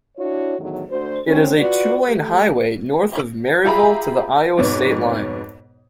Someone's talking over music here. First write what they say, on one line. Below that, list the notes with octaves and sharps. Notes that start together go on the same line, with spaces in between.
It is a two-lane highway north of Maryville to the Iowa state line.
D4 E4 F#4 C#5
E2 A2 D3 D#3 F#3
D2 D3 F#4 C5
D2 C4 C#4
F4 F#4 B4 D5
A3 G4
F4 G4 G#4 E5 A#5 B5
F2 G#2 B2 B3 C#5 D6